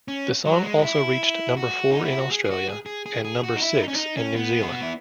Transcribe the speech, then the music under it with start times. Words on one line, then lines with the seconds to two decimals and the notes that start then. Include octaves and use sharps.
The song also reached number four in Australia and number six in New Zealand.
0.08 C#4
0.46 F#3
0.64 G#3
0.79 F#4
0.82 E4
1.57 F#4
1.91 D#4
2.05 E4
2.19 F#4
2.31 G#4
2.44 G#4
2.50 F#4
2.69 G#4
2.86 G#4
3.06 G#4
3.25 G#4
3.43 F#4
3.57 D#4
3.62 E4
3.80 D#4
3.88 C#4
3.96 D#4
4.17 C#4
4.36 B3
4.61 G#4
4.72 F#4
4.82 E4